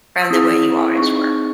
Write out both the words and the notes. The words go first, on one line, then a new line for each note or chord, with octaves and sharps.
from the way you always were.
E6
C4 E4 G#4 D#6
C4 D#4 G#4 C#6